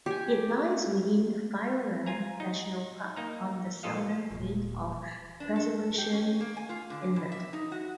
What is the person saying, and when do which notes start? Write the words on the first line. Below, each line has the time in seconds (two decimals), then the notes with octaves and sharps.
It lies within Fiordland National Park on the southern head of Preservation Inlet.
0.06 G4 G#5
2.06 F4 G#5 A#5
2.40 D#4
3.16 A#3 D#4 A#5
3.83 A#1 F4 A4 D#5 F5
4.31 D#1 F4
5.40 D4
5.56 A4
5.98 G4
6.12 C#4
6.41 A#3
6.57 G#5
6.69 F4
6.90 D3
7.16 B2
7.32 E5
7.53 D#4
7.72 F#4